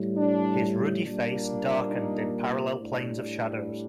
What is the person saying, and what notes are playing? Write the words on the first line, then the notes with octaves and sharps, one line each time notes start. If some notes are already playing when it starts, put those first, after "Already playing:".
His ruddy face darkened in parallel planes of shadows.
Already playing: A2 G3
D4
A#2 G3 A#3 D4
D#4
A2 G3 D4